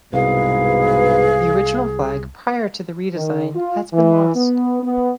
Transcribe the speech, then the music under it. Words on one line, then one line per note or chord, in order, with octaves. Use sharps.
The original flag prior to the redesign has been lost.
C2 G#2 B2 G#4 B4 F5
D#3
F4
E3
B3
B3